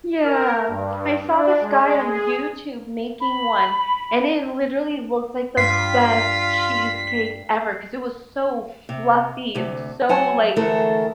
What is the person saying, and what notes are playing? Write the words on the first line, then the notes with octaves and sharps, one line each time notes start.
Yeah. I saw this guy on YouTube making one, and it literally looks like the best cheesecake ever 'cause it was so fluffy and so, like
A#4
G2
D4
G#3
G#4
B5
G2 F4 B6 C7
C3
D2 C3
F#3 F#5 G#5 A5
D2 E3 G#3 A3 A4 A#4